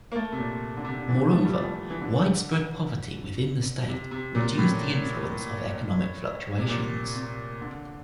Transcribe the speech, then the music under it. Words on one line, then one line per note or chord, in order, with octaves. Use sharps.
Moreover, widespread poverty within the state reduced the influence of economic fluctuations.
A#3
A3
C3
A#2
D3
C3
D3
E3
A3
G3
F3
E3
D3
C3
C3
A#2
A2
C3
A#2
C3
D3